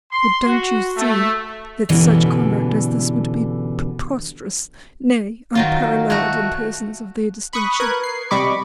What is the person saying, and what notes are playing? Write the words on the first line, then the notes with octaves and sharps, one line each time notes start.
But don't you see that such conduct as this would be preposterous, nay, unparalleled in persons of their distinction?
C6
F#4
A3
F#2 B2 D3 E3 G3
D#3 F#3 F4
A3 F#4
B5 C#6 D#6 F#6
A#4 B4 F#6 G#6
C7
C3 G3 D#5 B5 C#6 D6